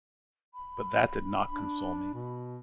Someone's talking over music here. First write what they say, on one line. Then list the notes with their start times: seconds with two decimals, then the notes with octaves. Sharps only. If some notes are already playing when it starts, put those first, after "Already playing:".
But that did not console me.
0.54 B5
1.51 D4
2.14 B2